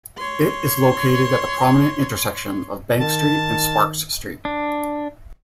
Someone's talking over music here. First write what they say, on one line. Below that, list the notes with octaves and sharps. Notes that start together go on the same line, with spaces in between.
It is located at the prominent intersection of Bank Street and Sparks Street.
C#5 C6
D#3 A5
D4